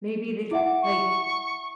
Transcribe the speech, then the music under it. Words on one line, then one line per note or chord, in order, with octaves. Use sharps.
maybe they c like,
E4 E5 F#5 D6
C#6